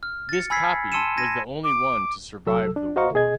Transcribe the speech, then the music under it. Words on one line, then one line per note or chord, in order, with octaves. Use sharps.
This copy was the only one to survive the war.
F6
A6 C#7
G#5 B5 E6 G#6 B6 C7
A5 C6 E6 C#7 D#7 E7
A5 G#6 A#6 D#7
D6
C2 F#3 A4 E6
D4
F#4 C5 D#5 F5 A#5 C#6
B2 G#4 D#5 G#6